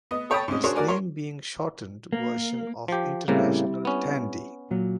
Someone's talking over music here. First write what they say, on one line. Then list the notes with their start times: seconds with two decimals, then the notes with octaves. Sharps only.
Its name being a shortened version of International Tandy.
0.11 B3 D#5
0.30 A4 C#5 G5 A5 B5 D#6
0.48 G#2 C3 C#4 D#5
0.63 D4 F#4 G#4 A#4 C5 C#5
0.76 F#4 A#4 D5 G#5
0.87 A#4 C#5 C6
2.13 A#3
2.88 F3 G4
3.28 A2 C#3 G3 A#3 C4 E4
3.85 B3 C#4
4.71 A#2 F#3